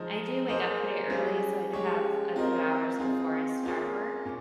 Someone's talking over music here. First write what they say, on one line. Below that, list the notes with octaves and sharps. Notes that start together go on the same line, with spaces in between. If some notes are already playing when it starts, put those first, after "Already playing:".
I do wake up pretty early, so I do have a few hours before I start work.
Already playing: F3 G#3 D#4
A#3 D#4 G#4 C5 D#5
G3 C#4 G#4
G#3 C#4 G4 C#5
C4 F4 A#4 D#5
C4 F4 G#4
A#3 C#4 F4 G#4
A#2 C#4